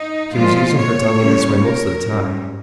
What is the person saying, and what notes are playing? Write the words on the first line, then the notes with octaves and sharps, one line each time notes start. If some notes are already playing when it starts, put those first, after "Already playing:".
She was using her tongue in this way most of the time.
Already playing: D#4
A#2 F3 G#3 F4
C#5
C#3 G3 A#3 C#4
A#4
G#2 G3 C#4